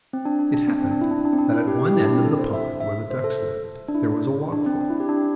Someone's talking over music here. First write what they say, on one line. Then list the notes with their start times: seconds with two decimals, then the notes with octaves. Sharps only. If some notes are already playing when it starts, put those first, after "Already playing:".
It happened that at one end of the pond where the ducks lived there was a waterfall.
0.13 C4
0.25 D4
0.39 D4
0.54 D4
0.67 C4
0.83 C4
0.91 D4
1.01 E4
1.11 D4
1.25 D4
1.33 C4
1.39 D4
1.54 E4
1.67 G4
1.87 G4
1.96 E4
2.05 D4
2.15 C4
2.24 A4
2.39 C5
2.53 E5
2.81 E5
3.10 C5
3.24 A4
3.88 D4
3.95 E4
4.52 D4
4.66 C4
4.81 D4
4.90 E4
5.00 G4
5.09 D4